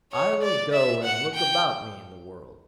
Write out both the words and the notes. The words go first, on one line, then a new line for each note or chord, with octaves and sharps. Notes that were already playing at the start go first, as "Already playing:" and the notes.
I will go and look about me in the world.'
C#5
D5
E5
F#5
G5